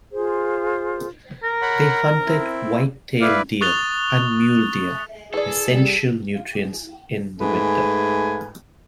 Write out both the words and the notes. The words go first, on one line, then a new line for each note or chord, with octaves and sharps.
They hunted whitetail deer and mule deer, essential nutrients in the winter.
F4 G#4 C5
A#4
C#5 F#5 B5
C4 E4
E4 B4 D5 F5
C#6 D#6 F#6 A6 F7 G7
E3 G#4 A4 D5
G3
G#2 A3 B4 G#5